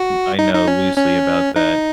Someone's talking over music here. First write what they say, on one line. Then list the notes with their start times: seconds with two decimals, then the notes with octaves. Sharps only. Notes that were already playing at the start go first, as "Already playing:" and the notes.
I know loosely about that.
Already playing: F#4
0.39 D#4
0.54 D#4
0.67 C#4
0.97 C#4
1.56 D#4